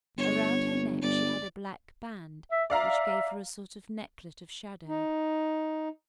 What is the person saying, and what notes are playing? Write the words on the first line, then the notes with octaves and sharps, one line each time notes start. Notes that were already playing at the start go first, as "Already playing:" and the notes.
Around her neck she had a black band, which gave her a sort of necklet of shadow.
G1 C#5
G1 D5
E5
D5 E5 F5 A#5
D#4